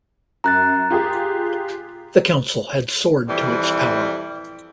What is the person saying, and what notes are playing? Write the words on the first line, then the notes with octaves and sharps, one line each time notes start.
The Council had soared to its power.
F#2 A#5 F#6 A6
F4 G4 G#4
F2 E3 G3